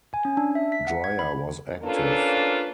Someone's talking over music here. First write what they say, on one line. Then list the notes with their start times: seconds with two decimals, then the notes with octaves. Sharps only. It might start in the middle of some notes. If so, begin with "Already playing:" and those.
Dreyer was active.
0.14 G#5
0.25 C#4
0.37 D4
0.55 E5
0.72 B6
0.87 F#5
1.04 G#6
1.19 B5
1.83 A#3 C#4 D4 F4 A4 B4